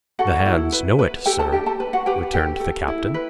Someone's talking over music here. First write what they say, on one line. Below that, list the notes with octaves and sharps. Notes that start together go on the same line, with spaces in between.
"The hands know it, sir," returned the captain.
F#4 A4 F#5
E4
B4
B4
G4 A4 G5
A4 A5
D4 G4 G5
A4 A5
B4
F#4 F#5
G4 B4 G5
G4 A4 G5
A4
E4
B4